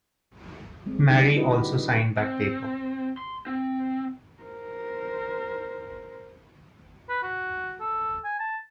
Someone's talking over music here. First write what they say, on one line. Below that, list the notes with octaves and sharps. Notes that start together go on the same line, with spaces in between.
Mary also signed that paper.
G3 G#3 C4
D3 D#3 F#3 D4 D#4
E4 F#4 G4 B4 D#5
C4
C6
C4
A#4 C5
B4
F#4
A4
G#5
A5